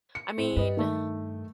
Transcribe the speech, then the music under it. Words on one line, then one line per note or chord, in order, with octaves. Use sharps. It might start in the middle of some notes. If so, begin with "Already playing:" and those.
I mean,
C#7
A2 C4
G2 B4 D#5
D#3 A3